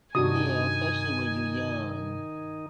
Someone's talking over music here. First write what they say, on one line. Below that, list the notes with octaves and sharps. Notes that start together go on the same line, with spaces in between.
Yeah, especially when you young.
G2 C3 D#3 D4 D#4 F#4 G#5 D#6